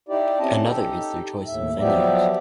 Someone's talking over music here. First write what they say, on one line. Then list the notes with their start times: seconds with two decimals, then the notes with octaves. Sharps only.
Another is their choice of venues.
0.09 D#4 E4 G4 D5
0.39 C4 C#4 D#5 A5
0.63 D#4 G4 A4
1.47 D#2 A2 E5
1.80 F3 F#3 B3 G4 D5 E5